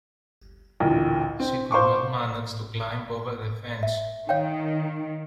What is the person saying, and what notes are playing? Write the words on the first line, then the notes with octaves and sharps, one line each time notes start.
She could not manage to climb over the fence.
A1 D2 A#2
C4
C5 F5 C#6 D6
E5
D#3 C#5 F5 G5